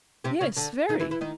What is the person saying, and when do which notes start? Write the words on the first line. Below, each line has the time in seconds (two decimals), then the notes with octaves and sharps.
"Yes, very."
0.24 C3 C4
0.41 C#3 C#4
0.57 D3 D4
0.89 D#3 D#4
1.00 E3 E4
1.11 E3 E4
1.21 D#3 D#4